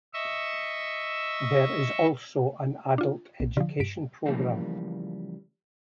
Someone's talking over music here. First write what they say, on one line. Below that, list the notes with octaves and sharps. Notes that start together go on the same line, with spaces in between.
There is also an adult education program.
D#5 E5 C#6 E6
D4 F4
B1
D3 F3
G2 B6 D7
C#3 E3 F3 G3 A3 A#3